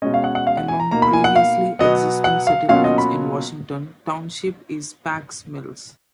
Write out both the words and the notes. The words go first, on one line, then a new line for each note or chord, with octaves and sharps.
Among previously existing settlements in Washington Township is Pack's Mills.
B2 G#3 C#4 D#5
F5
F#5
F#5
F5
F#5
G#5
A#5
B2 A#3 D#4 A#5
B5
G#5
F#5
F5
B2 F#3 B3 D#5
F#5
F5
B2 F#3 A#3 C#4 F4 F5
D#5
B5